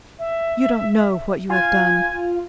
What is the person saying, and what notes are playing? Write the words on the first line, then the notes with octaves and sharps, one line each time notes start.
You don't know what you have done.
E5
F4 G#5